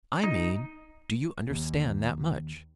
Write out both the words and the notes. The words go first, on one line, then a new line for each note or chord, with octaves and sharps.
"I mean, do you understand that much?"
D#4
D#2